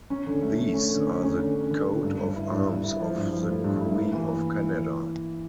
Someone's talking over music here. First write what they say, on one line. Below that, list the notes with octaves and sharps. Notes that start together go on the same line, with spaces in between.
These are the coat of arms of the Queen of Canada.
C#4
D3
A3
A3
C#4
D3
C#4
C#4
D3
C#4
D3
D3
G2
G2
E4
G2
G2
E4
F3
G2
F3
A3
G2
E4
A#3
E3